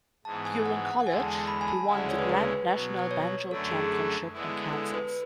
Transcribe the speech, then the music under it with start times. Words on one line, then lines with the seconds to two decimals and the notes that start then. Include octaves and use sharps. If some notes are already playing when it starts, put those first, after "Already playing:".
During college, he won the Grand National Banjo Championship in Kansas.
0.25 G#2 E3 B3 A5
0.45 G#5
0.66 F#5
0.87 F#5
1.06 E2 D3 G#3 G#5
1.20 A5
1.34 A5
1.47 B5
1.61 G#5
1.68 A5
1.88 D2 C#3 G#3 C#4 E4 F#5
1.98 D5
2.09 C#5
2.19 B4
2.29 B4
2.69 B2 F#3 B3
3.11 C#5
3.51 F#2 D3 F#3 A3 D4 A4
3.71 G#4
3.92 A4
4.33 D3 G#3 B3 E4
4.73 A4
4.94 B4